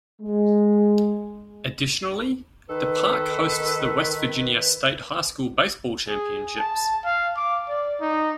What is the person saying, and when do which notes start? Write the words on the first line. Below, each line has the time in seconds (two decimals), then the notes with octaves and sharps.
Additionally, the park hosts the West Virginia state high school baseball championships.
0.21 G#3
2.70 D#3 A4 B4
6.08 G#4
6.58 A5
7.05 F5
7.37 D6
7.68 D5
8.01 D#4